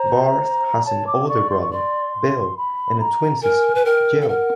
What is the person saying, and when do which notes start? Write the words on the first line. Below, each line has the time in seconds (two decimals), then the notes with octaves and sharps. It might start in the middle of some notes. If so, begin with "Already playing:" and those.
Barth has an older brother, Bill, and a twin sister, Jill.
Already playing: C5 A#5
0.85 C#5 A5
1.07 D6
1.24 D#5
1.29 D5 C#6
1.50 C6
1.62 C#6
1.71 D5 C6
2.57 B5
3.00 A#5
3.42 A#4 G#5
3.75 B4
3.85 A#4 G5
4.21 A4
4.24 F5
4.29 A#4 F#5